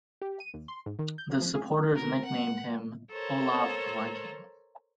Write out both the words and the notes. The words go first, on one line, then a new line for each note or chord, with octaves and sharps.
The supporters nicknamed him "Olav Viking".
G4
D#7
D#2
C6
G#2
D#3
G6
F#2
F3
G#4
A#4
F#5
A4 A#4 C5 C#5